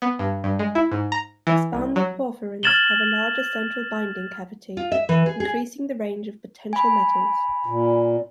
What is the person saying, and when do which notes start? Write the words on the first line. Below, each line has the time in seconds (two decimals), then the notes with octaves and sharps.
Expanded porphyrins have a larger central binding cavity, increasing the range of potential metals.
0.02 B3
0.19 G2
0.44 G2
0.59 G#3
0.75 E4
0.92 G#2
1.12 A#5
1.47 E3
1.73 C2
1.96 F#3
2.63 F6 G#6 A6 E7 F#7 G7
4.77 F4
4.92 E5
5.09 E3
5.26 G#4
5.40 G#4
6.73 G#5 B5
7.66 A#2